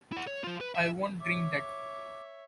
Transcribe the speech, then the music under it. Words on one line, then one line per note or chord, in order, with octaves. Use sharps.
I won’t drink that.
E4 F#5
C#5
F3 F4
B4
E5
C#5 E5 D6